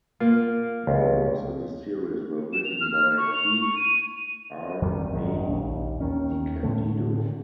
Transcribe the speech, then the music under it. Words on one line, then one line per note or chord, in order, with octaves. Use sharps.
All books in this series were written by Keith R. A. DeCandido.
A#3 F4
C#2
E7
F7
F6
C#6
F7
C#6
D#7
F2 D#3 G3
G#1 F#2 D#3 G#3
A#1 D#2
D#2 D#3 C#4
A2 D3 A3